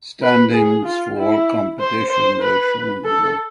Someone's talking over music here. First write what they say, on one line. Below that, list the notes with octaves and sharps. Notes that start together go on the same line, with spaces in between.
Standings for all competitions are shown below.
B4
G#4
F4
E4
C5
C5
B4
A4